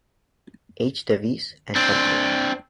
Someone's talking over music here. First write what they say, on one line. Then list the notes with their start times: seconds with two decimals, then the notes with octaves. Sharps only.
H. Davies and Company.
1.76 C4 D4